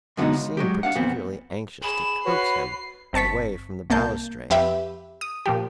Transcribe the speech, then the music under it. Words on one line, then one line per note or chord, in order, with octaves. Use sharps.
He seemed particularly anxious to coax him away from the balustrade.
F#2 D3 G3 G#3 B3 D#4
C#2
F#3 G#3 G4
D4 F5 F#5
F2 A#2 B3 C4
G#4 B5 E7
F#4 B4 C#5 C7
G1 C4 A5 C#6 B6
C2 A#3 A5 G6
F2 G4 B4 E5 B5
D#6
A#2 F3 G4